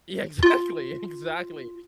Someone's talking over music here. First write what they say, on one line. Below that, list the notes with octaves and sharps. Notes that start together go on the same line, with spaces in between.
Yeah, exactly. Exactly,
F4